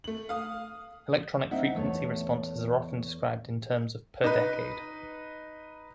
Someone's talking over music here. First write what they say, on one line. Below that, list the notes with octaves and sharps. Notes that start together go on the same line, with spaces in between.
Electronic frequency responses are often described in terms of "per decade".
A3 F#7
F5 D#6
C4 D#4 C5 D#5 E5 F#5
E2 A3 C#5
D#4 B4